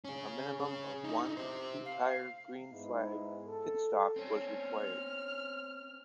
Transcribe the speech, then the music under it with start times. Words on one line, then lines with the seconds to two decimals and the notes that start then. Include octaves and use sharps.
A minimum of one two-tire green flag pit stop was required.
0.05 C#4 G#4
0.60 C#4 G#4
1.04 D#4 E4
1.37 G4 C5
1.85 F5
2.72 G#2 G#3 B3 D#4 E4
3.47 A4
4.16 C4 C#4
4.65 F6